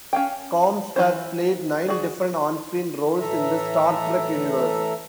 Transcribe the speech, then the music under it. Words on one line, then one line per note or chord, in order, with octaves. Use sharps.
Combs has played nine different onscreen roles in the "Star Trek" universe.
C#4 F5 G5
E3 D#4 E4 C5
F#4 G#4 D5
A2 E3 A4 E5 A#5